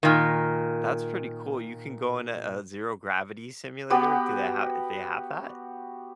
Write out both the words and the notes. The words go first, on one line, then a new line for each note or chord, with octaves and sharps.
That's pretty cool. You can go in a a zero gravity simulator; do they have did they have that?
A#2 D#3
B3 F#4 G4